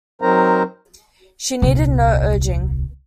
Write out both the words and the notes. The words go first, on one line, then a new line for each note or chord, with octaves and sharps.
She needed no urging.
F#3 C4 D#4 A#4 C5 A#5
D#1 C2